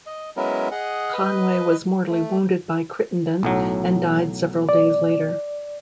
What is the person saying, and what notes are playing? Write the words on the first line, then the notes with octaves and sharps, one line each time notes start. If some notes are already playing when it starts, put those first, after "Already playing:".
Conway was mortally wounded by Crittenden and died several days later.
D#5
F#3 G#3 B3 C#4 E4 A#4
G#4 D#5 F#5
B4 D#5
A3
B1 A2 F#3
D5